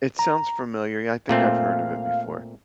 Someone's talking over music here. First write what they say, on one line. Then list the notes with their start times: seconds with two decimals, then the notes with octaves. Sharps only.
It sounds familiar, yeah, I think I've heard of it before.
0.19 A#5
1.29 A#2 A3 C4 F5